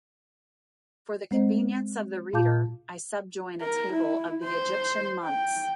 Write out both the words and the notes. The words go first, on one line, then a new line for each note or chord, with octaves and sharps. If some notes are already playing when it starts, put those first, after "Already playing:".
For the convenience of the reader, I subjoin a table of the Egyptian months.
G#3 C4 C5 D#5
A#2 F4 F5 A5 D6 G6
A#4
E4
C5
G5